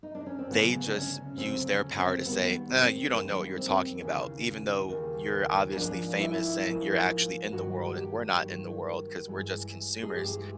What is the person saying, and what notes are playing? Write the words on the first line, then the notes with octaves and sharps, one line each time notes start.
they just use their power to say, "Ah, you don't know what you're talking about. Even though you're obviously famous and you're actually in the world and we're not in the world, 'cause we're just consumers,
D#4
D4
C#4
C4
D2 C#3 F#3 B3
D4
C#4
D2 C#3 F#3 C4
C#4
C4
F#2 D#3 G3 A#3 B3
C4
F#2 D#3 G3 A#3 C#4
C4
D#2 C#3 E3 C#4
D#2 C#3 E3
G#2 F3 A#3 D4
E4
G#2 F3 A#3
G2 D#3 F#3 A#3 F#4
G4
G2 D#3 F#3 A#3
G2 E3 G#3
G#4
G2 E3 G#3 G4